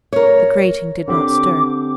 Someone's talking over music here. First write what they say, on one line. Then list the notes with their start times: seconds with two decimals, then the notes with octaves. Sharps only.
The grating did not stir.
0.13 A#4 C#5
1.08 D3 C4 G4 D6